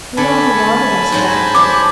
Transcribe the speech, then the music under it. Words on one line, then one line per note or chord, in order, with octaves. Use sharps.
You know he wanted Miss Chapley.
D3 G#5 A5 B5
G#2 F#3 C5
G#3 G#4 C5 D6